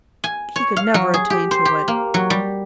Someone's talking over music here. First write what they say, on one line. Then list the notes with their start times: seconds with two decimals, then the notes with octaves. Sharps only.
He could never attain to it.
0.24 G#5
0.56 C#5
0.76 F5
0.94 F#3
1.14 G#4
1.30 G4
1.51 C5
1.65 G4
1.88 A#3
2.14 F#3
2.30 G3